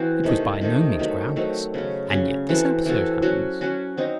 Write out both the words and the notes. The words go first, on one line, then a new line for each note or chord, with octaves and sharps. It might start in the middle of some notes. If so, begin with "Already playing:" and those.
It was by no means groundless--and yet this episode happens.
Already playing: E3 C4 F#4 C5
C3 D#3 A3 D#4
C3 D#3 A3 D#4
D#3 F#3 A3 C4
D#3 F#3 A3 C4
C#3 F#3 C#4
C#3 F#3 C#4
E3 C4 F#4 A4
E3 C4 F#4 A4
F#3 C#4 F#4
F#3 C#4 F#4
F#3 C4 D#4